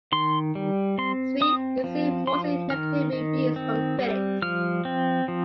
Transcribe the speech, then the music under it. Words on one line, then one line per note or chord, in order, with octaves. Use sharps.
"Sphere" received mostly negative reviews from critics.
D#3 C6
G3
C4 C6
C4 D#6
F3
F3 C6
D#3 F6
D#3
C4
G3
F3 F6
C4
F3